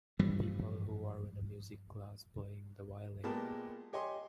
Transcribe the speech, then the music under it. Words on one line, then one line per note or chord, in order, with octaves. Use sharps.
People who are in a music class playing the violin.
G2 E3 F3 G3
A#2 G#3 B3 G4 A#4 A5
G4 C#5 D#5 G#5 C6